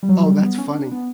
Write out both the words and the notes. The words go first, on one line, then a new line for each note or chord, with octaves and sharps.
Oh, that's funny.
G3
F#3
G3
B3
C#4
D4
B3